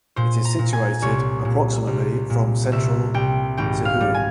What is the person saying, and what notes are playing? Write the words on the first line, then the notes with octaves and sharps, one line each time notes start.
It is situated approximately from central Sihui.
A#2 C5
A#5
A#2
G#5
C2 C#5
A#2
C2
A#2
C2 E5
C2 G5
G#1 G5
F5
G3
G#5